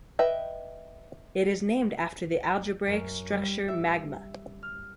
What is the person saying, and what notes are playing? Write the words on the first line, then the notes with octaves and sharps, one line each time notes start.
It is named after the algebraic structure magma.
B4 D#5 E5 G5
F#2
G3
E5
F6